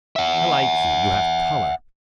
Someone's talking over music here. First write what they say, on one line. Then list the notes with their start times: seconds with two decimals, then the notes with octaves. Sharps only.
I like you--you have color.
0.16 E5 F#5